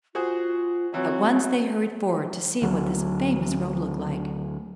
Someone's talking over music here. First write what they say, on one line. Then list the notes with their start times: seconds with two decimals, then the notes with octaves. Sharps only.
At once they hurried forward to see what this famous road looked like.
0.15 F4 F#4 G#4 C5
0.94 E3 F#3 C4
2.62 D2 F#3